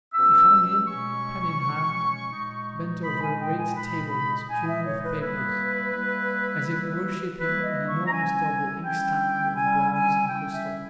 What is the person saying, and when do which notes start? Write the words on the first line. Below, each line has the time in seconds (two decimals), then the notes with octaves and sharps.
He found him, pen in hand, bent over a great table bestrewn with papers, as if worshipping an enormous double inkstand of bronze and crystal.
0.14 B2 G#3 C#4 E6
0.86 B2 G#3 C#4 C#6
1.59 B2 G#3 C#4
2.31 A#2 G#3 D#4
3.04 A#2 G#3 D#4 B5
3.22 G#5
3.40 G5
3.58 G#5
3.76 A#2 G#3 D#4 B5
4.48 A#2 G#3 D#4 G#5
4.67 E5
4.84 C#5
5.03 B4
5.21 G3 A#3 E4 B4
5.93 G3 A#3 E4
6.66 G3 A#3 E4
7.39 G3 A#3 E4 B4
7.62 D#5
7.87 C#6
8.06 A#5
8.11 G3 C#4 E4 G#5
8.83 G3 C#4 E4 G5
9.56 G3 C#4 E4 G#5
9.93 G#5
10.28 G3 C#4 E4 G5
10.53 E5